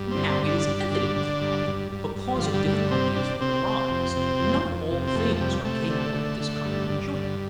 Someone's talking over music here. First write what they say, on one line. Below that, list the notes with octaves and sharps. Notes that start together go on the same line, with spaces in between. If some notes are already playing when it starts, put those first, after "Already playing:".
Now it is evident that, because of difficulties that arise, not all things are capable of this kind of enjoyment.
Already playing: G2
C4
D3
C4
G2
D4
G2
D3
D3
G2
G2
G2
G2
F3
D3
G3
G2 G3
A3
C3 C4
C3 D4
C3 C4
C3
F2
C3
F2
F2
C3
C4
F2 A3
A3
C3 G3
C3 A3
D3
D3
D3
G2
G2
D3